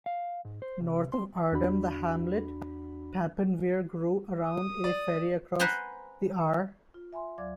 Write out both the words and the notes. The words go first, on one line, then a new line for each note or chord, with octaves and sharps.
North of Aardam, the hamlet Papenveer grew around a ferry across the Aar.
F5
G#2
C5
C2
C6
E2 D4 F#4 B5
D#6
D5
B4 C5 F#5 G#5 A#5 C6
F4
E5 G#5 B5 C6
D2 F#3 D5 F5 D6 G#6